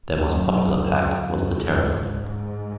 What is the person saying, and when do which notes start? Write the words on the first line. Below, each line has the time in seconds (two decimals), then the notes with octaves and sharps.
Their most popular pack was the Terraplane.
0.22 F#2
0.73 F#2
1.23 F#2
1.73 G#2
2.23 G#2